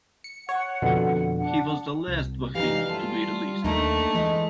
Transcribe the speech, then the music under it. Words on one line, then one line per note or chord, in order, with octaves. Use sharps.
He was the last Bahraini to be released.
C#7
C#5 F#5
F2 B2 D3
D4 F#5
C2
E3 G3 D#4 F5
E4 F4 A4
D#2 A3 A#3 D4 D#4
E3 G#3